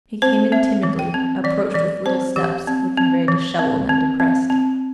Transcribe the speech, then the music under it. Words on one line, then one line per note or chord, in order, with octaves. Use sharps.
He came in timidly, approached with little steps, looking very disheveled and depressed.
C4 C5
C4 E5
E3
G5
C4
E3 D5
E3 D5
C4 C5
E3 G4
C4
C4
E3
C4
C4
C4
C4